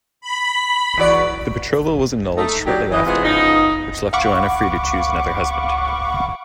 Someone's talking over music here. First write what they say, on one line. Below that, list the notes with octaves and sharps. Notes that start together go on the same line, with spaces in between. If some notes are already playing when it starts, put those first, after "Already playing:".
The betrothal was annulled shortly after, which left Joanna free to choose another husband.
B5
E2 F#4 D5
A3 D#4
F#3 D4 G4
E3 D#5
C3 E3 G#3 B3 F4 G#4
C#3 F3 B3 D#4
F5 F#5 B5 C#6 D6